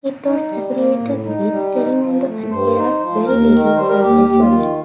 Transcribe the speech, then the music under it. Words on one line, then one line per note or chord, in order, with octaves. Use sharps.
It was affiliated with Telemundo and aired very little local programming.
D#4
G3
A#3
A2
D#4
G3
D#4
F3
A3
G2 C5
D#4
F3
D#2 A#4
D#3
A#4
G3 C5
A#4
D#2 G4
D#2 G4
F4
D#3